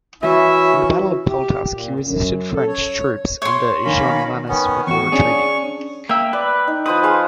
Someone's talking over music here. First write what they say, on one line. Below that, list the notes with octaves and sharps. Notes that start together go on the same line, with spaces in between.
In the Battle of Pultusk he resisted French troops under Jean Lannes before retreating.
E3 C#4 E4 F#4 E5
G4
A#2
F#2
A4
C#5
C#5 C6
D#3 A#3 C#4 B5
D#3 B3 C#4
E2 F#4 C#6
C#4 D4 G#4
A#3 E5 G5
B4 D5
D#4
F3 B4 C5 D#6
G#4 C5 F5